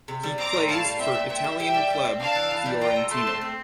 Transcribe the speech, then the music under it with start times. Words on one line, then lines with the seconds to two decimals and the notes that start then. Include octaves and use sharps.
He plays for Italian club Fiorentina.
0.08 C3
0.23 G3
0.38 C4 A#5 D6
0.54 A2
0.68 A2 F5 A5
0.84 G3
0.99 C4 E5 G5
1.15 A#2
1.29 A#2 E5 G5
1.44 G3
1.59 G4 E5 G5
1.74 G3
1.90 G3
2.05 C4
2.20 D4 F5 A5
2.35 E3
2.51 E3
2.66 G3
2.80 F4 G5 A#5
2.96 A4
3.11 A3 A5 C6
3.27 C4
3.41 C4